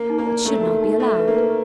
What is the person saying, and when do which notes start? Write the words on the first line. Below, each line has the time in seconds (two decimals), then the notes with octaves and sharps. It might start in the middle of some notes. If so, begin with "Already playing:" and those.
It should not be allowed.
Already playing: A#3
0.10 D#4
0.18 A#3
0.27 D5
0.45 A3 A#4
0.63 F#4
0.82 D#4
1.00 A3 E5
1.19 B4
1.27 A#3
1.36 B4